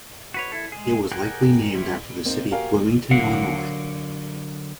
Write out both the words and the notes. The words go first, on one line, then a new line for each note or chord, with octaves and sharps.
It was likely named after the city of Bloomington, Illinois.
F#4 B4 C#5
E4 A4
G#3 G#4
G4 G#4 A#4 F#5 G5
E3 G3 C#4 E4 F4
A#3 C4 D#4
F#4 G4 A#4 F5 G#5
D3 F#3 A#4 F5 F#5